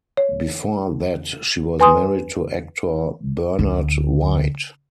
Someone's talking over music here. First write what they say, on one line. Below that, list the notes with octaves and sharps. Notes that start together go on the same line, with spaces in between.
Before that, she was married to actor Bernard White.
C#5
B4 G#5 C6 D#6
D2 D3